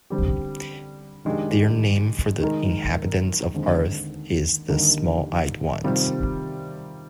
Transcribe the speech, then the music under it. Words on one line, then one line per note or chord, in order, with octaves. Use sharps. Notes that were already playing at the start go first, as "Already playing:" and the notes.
Their name for the inhabitants of Earth is "the small-eyed ones".
D3 G3 C4 G4
D#3 G#3 D4 G4
D#3 G#3 D#4 A#4
D#2 D3 G#3 C4
D#2 D3 G3 A#3 D#4
C3 D#3 G3 C4 F4